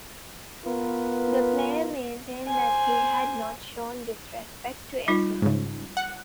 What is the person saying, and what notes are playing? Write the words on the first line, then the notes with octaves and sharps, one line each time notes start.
The player maintained that he had not shown disrespect to Islam.
B3 F4 A#4 B4
C5 G#5
G3 D#4 F4
G#2 C#3
F#5